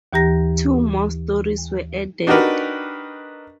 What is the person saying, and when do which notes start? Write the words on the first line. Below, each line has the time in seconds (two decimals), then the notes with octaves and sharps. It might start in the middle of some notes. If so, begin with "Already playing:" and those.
Two more stories were added.
0.13 D#2 E3 G4 A#5 A#6
2.27 D4 D#4 F#4 G4 A#4 B4